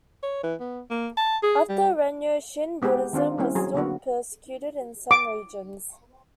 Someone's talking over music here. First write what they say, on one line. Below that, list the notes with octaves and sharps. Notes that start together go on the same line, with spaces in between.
After Rennyo, Shin Buddhism was still persecuted in some regions.
C#5
E3
B3
A#3
A5
G#4
G3
G#3 B3 G4 G#4 B4
D#3 C4 D4 F4
G3 A#3 C4 C#4 E4
F#3 G#4
D3 A#3 B3 F#4
D6